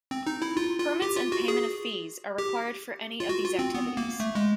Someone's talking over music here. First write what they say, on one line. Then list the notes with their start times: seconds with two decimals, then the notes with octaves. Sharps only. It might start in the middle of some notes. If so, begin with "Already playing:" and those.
Permits and payment of fees are required for any of these activities.
0.11 C4
0.27 D#4
0.42 E4
0.57 F4
0.80 F4
1.02 G4
1.17 F4
1.32 F#4
1.48 G#4
2.38 G4
3.20 F4
3.29 F#4
3.44 F4
3.59 C4
3.75 B3
3.97 A#3
4.20 A3
4.35 G#3